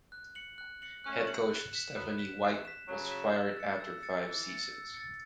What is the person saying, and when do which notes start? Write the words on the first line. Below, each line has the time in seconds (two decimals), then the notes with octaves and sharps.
Head coach Stephanie White was fired after five seasons.
0.12 F#6
0.35 C#7 F#7
0.58 F#6
0.82 C#7 F#7
1.04 A3 C#4 F#6
1.27 C#7 F#7
1.50 F#6
1.73 B6 E7
1.96 F#3 B3 F#6
2.19 B6 E7
2.42 E3 A3 F#6
2.65 B6 E7
2.88 C#3 F#3 F#6
3.11 B6 E7
3.34 E6
3.57 A6 C#7
3.80 E6
4.03 A6 C#7
4.25 E3 E6
4.49 A6 C#7
4.71 E6
4.94 A6 C#7